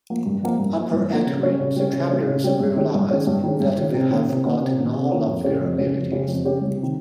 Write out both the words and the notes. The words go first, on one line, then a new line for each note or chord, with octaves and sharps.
Upon entering, the travelers realize that they have forgotten all of their abilities.
F3 A#3
G2
F3 A#3
G2
F3 A#3
G2
F3 A#3
C#3
G3 C#4
C#3
G3 C#4
C#3
G3 C#4
C#3
G3 C#4
G2
D#3 G#3 C#4
G2
D#3 G#3 C#4
G2
D#3 G#3 C#4
G2
D#3 G#3 C#4
C3
D#3 A#3 C#4
C3
D#3 A#3 C#4
C3
D#3 A#3 C#4
C3
D#3 A#3 C#4
F2
C#3 G#3 C#4 G4
F2
C#3 G#3 C#4 G4
F2
C#3 G#3 C#4 G4
F2
C#3 G#3 C#4 G4
C2
C3
D#3